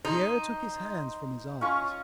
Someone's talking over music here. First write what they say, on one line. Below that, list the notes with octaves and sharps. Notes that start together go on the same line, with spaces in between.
Pierre took his hands from his eyes.
D#4 C5
C#4 F4 C#6